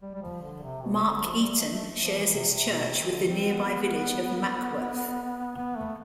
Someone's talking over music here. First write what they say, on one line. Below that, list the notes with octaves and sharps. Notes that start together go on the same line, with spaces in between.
Markeaton shares its church with the nearby village of Mackworth.
G3
G3
F3
D3
C3
B2
D3
F3
G3
A3
A3
F3
E3
C3
C3
B2
C3
E3
D3
C4
B3
B3
B3
A3